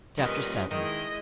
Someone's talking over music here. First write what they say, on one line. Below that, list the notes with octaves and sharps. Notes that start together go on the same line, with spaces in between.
Chapter VII.
A#2 D#3 G3 C#4 B4 D#5
D#3 G#3 E4 D#5